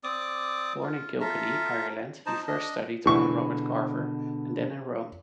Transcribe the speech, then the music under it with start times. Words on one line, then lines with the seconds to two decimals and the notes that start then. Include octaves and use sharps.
Born in Kilkenny, Ireland, he first studied under Robert Carver and then in Rome.
0.04 C4 D5 D6 D#6
0.83 F4
1.21 F4 A4 E5 A#5
2.26 D#4 C5 A5 A#5
2.47 D4 D#5
3.06 B2 D3 E3 G#3 C#6